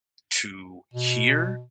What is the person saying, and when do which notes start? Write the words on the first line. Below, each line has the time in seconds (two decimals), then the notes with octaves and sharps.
to hear
0.94 B2